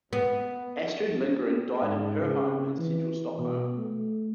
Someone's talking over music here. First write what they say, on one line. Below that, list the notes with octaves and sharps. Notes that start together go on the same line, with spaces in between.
Astrid Lindgren died in her home in central Stockholm.
B3
G#2
C#3
E3
B2
A3